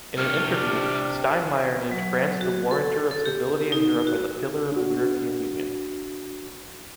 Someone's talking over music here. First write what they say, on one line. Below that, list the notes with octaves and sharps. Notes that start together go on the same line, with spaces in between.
In an interview, Steinmeier named France the warrantor of stability in Europe and the pillar of the European Union.
C3 G3 D4 C#5 F6
F#3
F#4
A4
A4
G4
D#4
F#4
D4 F#4